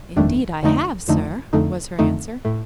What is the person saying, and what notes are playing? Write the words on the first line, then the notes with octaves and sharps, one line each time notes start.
"Indeed I have, sir," was her answer.
G1 F2 D#3 A3 D4
F2 D3 A3 D#4
F2 D3 A3 D#4
F2 D3 A3 D#4
F2 D3 A3 D#4
A2 A3